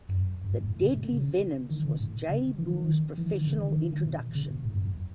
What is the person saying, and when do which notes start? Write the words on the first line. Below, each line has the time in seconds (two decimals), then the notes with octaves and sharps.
The Deadly Venoms was J-Boo's professional introduction.
0.09 F#2
0.44 F#2
0.53 G#2
0.67 A2
0.82 C#3
0.97 B2
1.12 C#3
1.70 D#3
1.85 C#3
2.00 A2
2.29 C#3
2.58 E3
2.74 D#3
3.18 E3
3.32 D#3
3.47 C#3
3.62 D#3
3.76 D#3
3.91 D#3
4.06 B2
4.35 C#3
4.51 B2
4.65 A2
4.74 F#2
4.85 F#2